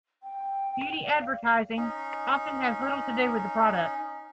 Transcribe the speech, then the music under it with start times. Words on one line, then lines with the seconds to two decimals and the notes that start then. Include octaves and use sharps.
Beauty advertising often has little to do with the product.
0.23 G5
1.04 D5
1.20 F5
1.77 C#4 D#4